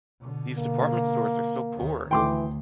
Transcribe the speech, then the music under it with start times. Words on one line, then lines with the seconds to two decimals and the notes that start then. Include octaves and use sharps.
These department stores are so poor!
0.21 B2 D3
0.57 A#3
1.76 D#2 D#3
2.11 D2 E3 G5 C6 D6